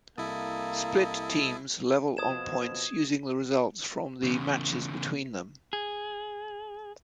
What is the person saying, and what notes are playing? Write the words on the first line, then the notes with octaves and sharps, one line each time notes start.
Split teams level on points using the results from the matches between them.
C2 A#3 E4 A4 D#5
F2 B2 F3 D#6 G#6 E7
E2 C#3
G#4